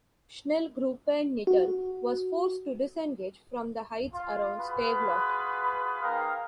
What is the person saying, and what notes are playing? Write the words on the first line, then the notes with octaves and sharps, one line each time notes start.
Schnellgruppe Knittel was forced to disengage from the heights around Stavelot.
F#4
F4
F4 F#4 G#4 B4
A#3 D#4 G#4 A#4 F5 G5